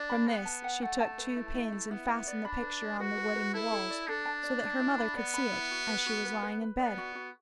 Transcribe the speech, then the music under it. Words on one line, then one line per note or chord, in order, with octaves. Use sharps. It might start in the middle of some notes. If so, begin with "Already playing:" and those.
From this she took two pins, and fastened the picture on the wooden wall, so that her mother could see it as she was lying in bed.
Already playing: D4 D5
B5
B3 B4
A5
F#5
A3 F#5
A5
B4
E4
E4
E4
B3 E4
E4
D5
D4 B5
B4
D5
F#4 B4
B4
B4
E4 A4
A4
D5
D4 A4
A5
D5
D5
E4
B5
B3 D5
B5
E4
F#4
B4
F#4
B4
B4
B4
B3 D5
F#4
F#4